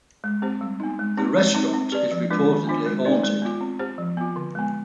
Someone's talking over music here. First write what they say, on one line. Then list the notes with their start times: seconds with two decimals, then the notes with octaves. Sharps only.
The restaurant is reportedly haunted.
0.24 G#3
0.42 C4 G4 C5
0.61 G3
0.80 B3 D#4
0.99 G#3
1.18 C4 D#4 G4
1.37 G#3
1.54 C4 D#4
1.74 C4
1.92 G4 B4 D5
2.11 F3
2.30 G#3 D4 F4 B4
2.49 D#3
2.67 B3 D4 F4 C5
2.86 G#3
3.05 B3 D#4 B4 D5
3.24 G#3
3.42 B3 F4
3.61 C4
3.79 G4 C5
3.98 F3
4.17 B3 F4
4.36 D3
4.55 G#3 B3